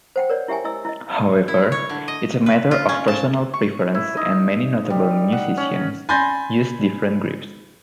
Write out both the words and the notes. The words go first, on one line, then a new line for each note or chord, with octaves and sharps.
However, it's a matter of personal preference and many notable musicians use different grips.
C5 F#5 G5
A#4 C#5 D5
E4 G4 E5 G5 G#5
E4 D#5 E6
E4 D#5
E4
C#5
D3
D#5
B4
F4
C#4
A5
C#6
E4
D#4
G3
F#5
C#4
G#5 B5 C6 G6 A6 A#6